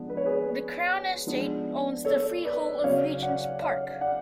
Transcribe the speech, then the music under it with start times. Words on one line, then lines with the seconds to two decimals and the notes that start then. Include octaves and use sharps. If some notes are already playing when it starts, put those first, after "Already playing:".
The Crown Estate owns the freehold of Regent's Park.
Already playing: F3 G#3 B3 D4
0.10 B4
0.17 C#5
0.26 G#4 B4
1.27 F3 G#3 B3 D4
2.05 A4 C#5
2.45 B4 D5
2.79 D5
2.84 C#3 F#3 C#4 C#5 F5
3.22 D5 F#5
3.62 C#5 F5
4.01 D5 F#5